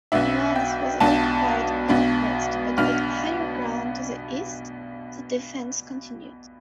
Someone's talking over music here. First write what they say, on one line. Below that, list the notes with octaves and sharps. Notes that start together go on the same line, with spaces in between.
Mons was occupied unopposed but on higher ground to the east, the defence continued.
B1 B2 B3 D4 E5
G5
B1 B2 B3 D4 A5
B1 B2 B3 D4
B1 B2 B3 D4 F6